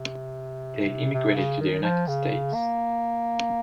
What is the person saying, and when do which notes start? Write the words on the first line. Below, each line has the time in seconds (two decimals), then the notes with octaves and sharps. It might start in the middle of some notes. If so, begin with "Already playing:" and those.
They emigrated to the United States.
Already playing: C3
1.13 C3
1.36 C#3
1.60 D#3
1.83 F3
2.07 C#3
2.54 A#3